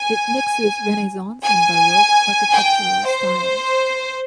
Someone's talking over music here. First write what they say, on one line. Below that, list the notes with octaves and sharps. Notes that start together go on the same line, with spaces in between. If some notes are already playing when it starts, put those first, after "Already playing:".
It mixes Renaissance and Baroque architectural styles.
Already playing: G#5
G#5
G5
C5